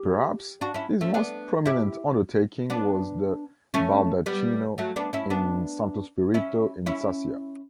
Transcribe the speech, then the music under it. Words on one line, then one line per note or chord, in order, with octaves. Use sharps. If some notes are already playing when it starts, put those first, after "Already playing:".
Perhaps his most prominent undertaking was the "baldacchino" in Santo Spirito in Sassia.
Already playing: G4
D4 F#4
C#4 E4
A3 C#4
B3 D4
E4 G4
B3 D4
A3 C#4
G3 B3
F#3 A3
B3 D4
C#4 E4
B3 D4
C#4 E4
C#4 E4